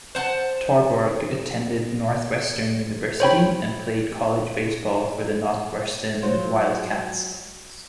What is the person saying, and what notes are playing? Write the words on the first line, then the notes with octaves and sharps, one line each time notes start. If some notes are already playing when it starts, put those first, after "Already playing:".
Torborg attended Northwestern University, and played college baseball for the Northwestern Wildcats.
C5 F#5 G#5 A5
C5 C#5 G5 B5
F#3 F4 C5